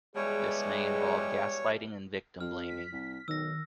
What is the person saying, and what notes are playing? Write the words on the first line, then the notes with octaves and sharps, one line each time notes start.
This may involve gaslighting and victim blaming.
B2 E3 G3 G#3 G#4 C#5
F2 F6
B6
C2
B1 D#3 E6 A#6